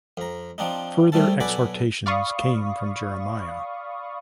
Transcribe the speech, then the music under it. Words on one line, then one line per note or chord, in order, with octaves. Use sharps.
Further exhortations came from Jeremiah.
F2 A#5
F3 C4 D4 D#4
C2 C3 G3 A3 A4 A5
B1 F#4 A4 D5 G#5 B5
D5 F5 B5 C#6 D#6